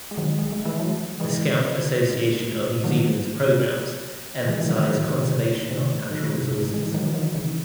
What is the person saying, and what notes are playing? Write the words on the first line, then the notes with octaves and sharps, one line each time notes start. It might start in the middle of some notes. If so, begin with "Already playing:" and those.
The Scout Association of New Zealand's programs emphasise conservation of natural resources.
G#3
D#3 F#3
G#3
A3
E3 G#3
F#3 A3
E3 G#3
D#3 F#3
E3 G#3
D#3 F#3
D#3 F#3
C3 D#3
C#3
C3
C3 D#3
D#3 F#3
C3
A2 C#3
E3 G#3
D#3 F#3
E3
D#3 F#3
C#3 E3